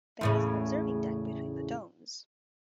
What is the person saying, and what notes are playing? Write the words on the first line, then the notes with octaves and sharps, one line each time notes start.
There is an observing deck between the domes.
E2 A2 C#3